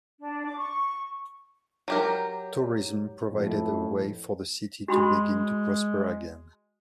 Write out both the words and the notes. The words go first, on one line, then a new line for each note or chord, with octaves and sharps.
Tourism provided a way for the city to begin to prosper again.
D4
D6
C#6
F#3 G4 A#4
F2 A2
G#3 F#4 B5 C6